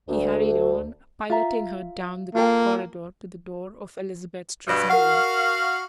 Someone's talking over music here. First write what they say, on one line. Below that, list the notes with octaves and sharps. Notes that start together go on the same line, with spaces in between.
He hurried on, piloting her down the corridor to the door of Elizabeth's dressing room.
D2
F4 E5 A#5
A#3 F4 A4 G5
G2 B2
F#4 A#4 F5 F#5